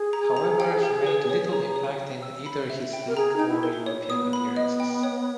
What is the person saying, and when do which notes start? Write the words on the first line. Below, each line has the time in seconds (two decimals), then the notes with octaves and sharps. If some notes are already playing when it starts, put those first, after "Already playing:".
However he made little impact in either his league or European appearances.
Already playing: G#4
0.13 A#5
0.37 A#5
0.60 G5
0.83 G4
1.07 B4
1.30 C#5
1.53 A#5
1.76 C#5
2.00 G5
2.23 E6
2.46 B5
2.70 E5
2.93 G5
3.07 A#4
3.16 G#4 A#5
3.36 D#4 G5
3.48 E4
3.63 A#4
3.86 C#5
4.10 B3 D#6
4.33 B5
4.56 D#5
4.80 G5
5.03 C#5